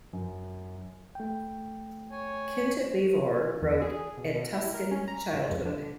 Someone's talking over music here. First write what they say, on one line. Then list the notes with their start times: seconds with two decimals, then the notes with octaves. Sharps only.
Kinta Beevor wrote "A Tuscan Childhood".
0.13 F#2
1.15 A3 G5
2.11 C#5 G#5
3.62 E2
3.82 G#4
4.18 B2
4.35 B2
4.54 E4
4.74 A#4
4.91 C#4
5.08 A#5
5.33 G#2
5.51 F2
5.65 D3